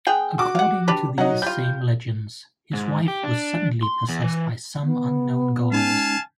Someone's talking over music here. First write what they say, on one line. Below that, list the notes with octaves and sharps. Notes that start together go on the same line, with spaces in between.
According to these same legends, his wife was suddenly possessed by some unknown gods.
B3 G#4 G5
F#4 D6
F5 F#5
D4 G4 B4
F#3 D#4 F#5
G3 F4 G6
G#2
G4
D4
C6
E2
E3
B3
G#3 C#4 D#4 F5 G#5 A5